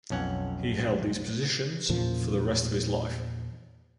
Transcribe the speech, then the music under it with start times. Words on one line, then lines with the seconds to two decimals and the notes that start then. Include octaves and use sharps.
He held these positions for the rest of his life.
0.10 B1 F2 C#4 F#5
1.89 E2 A#2 C#3 F3